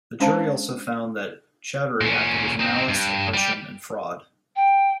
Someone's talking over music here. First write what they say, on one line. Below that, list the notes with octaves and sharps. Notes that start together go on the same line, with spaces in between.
The jury also found that Choudhury acted with malice, oppression and fraud.
G#3 C#4 D4 C5 F5 A5
A#2 C#4
C4 D#4
G2
G3 G4
G5